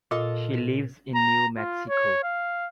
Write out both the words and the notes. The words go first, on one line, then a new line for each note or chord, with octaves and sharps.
She lives in New Mexico.
A#2 F4 A4 D#5
A#5
F4
C#5
F5